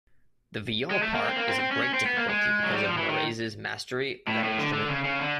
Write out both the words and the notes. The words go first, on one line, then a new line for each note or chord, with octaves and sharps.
The viol part is of great difficulty because of Marais's mastery of that instrument.
G#3
A3
A#3
C4
A#3
C4
C4
C#4
C#4
C4
B3
A#3
G#3
F#3
G3
F3
E3
D#3
A2
A2
D3
D3
C#3
C#3
D3